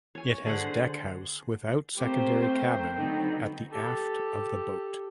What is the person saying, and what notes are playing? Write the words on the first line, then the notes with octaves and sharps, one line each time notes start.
It has deckhouse without secondary cabin at the aft of the boat.
C#5 G#5
D3 G#4 C5 F#5
A3 A#3 C4 G4 C5
G5
D3 F#3 B3 C4 D#4
G4 A4